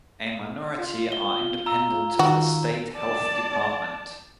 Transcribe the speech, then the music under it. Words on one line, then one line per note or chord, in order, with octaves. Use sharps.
A minority are independent of the state health department.
F4
G7
A#5 E6
D#3 F#4
D5 A5